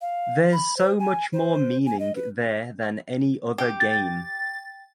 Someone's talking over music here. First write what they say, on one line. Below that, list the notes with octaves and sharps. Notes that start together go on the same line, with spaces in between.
There’s so much more meaning there than any other game.
F5
B5
C5
G#5
C5
G#5
D#5
B4
G4 G5
A6